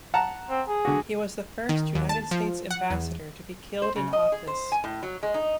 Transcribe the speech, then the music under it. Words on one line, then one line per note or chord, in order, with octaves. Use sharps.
He was the first United States Ambassador to be killed in office.
F#5 A5 A#5
C4
G#4
D3 F#4
D#3
D#2
A5
F3
F#5
E2
C5
C#3
D#5
G#4
C5
G#5
A2
F#3
G#3
D#4